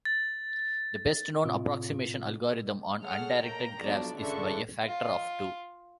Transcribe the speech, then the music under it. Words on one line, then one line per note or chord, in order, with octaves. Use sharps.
The best known approximation algorithm on undirected graphs is by a factor of two.
A6
A2 C3 C4 F4
G#4 A4 C#5 F#5 F6
A#3 G5 A#5
B1 F3 D4 D5
G#1 C#2 D3 D4 E5 C#6
F4